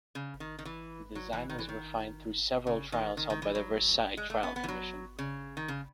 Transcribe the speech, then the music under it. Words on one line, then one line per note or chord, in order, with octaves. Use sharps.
The design was refined through several trials held by the Versailles Trial Commission.
C#3
D#3
D#3
E3
F#3
E3
D#3
E3
D#3
C#3
D#3
D#3
D#3
E3
F#3
G#3
A3
B3
B3
E3
F#3
C#3
D#3
C#3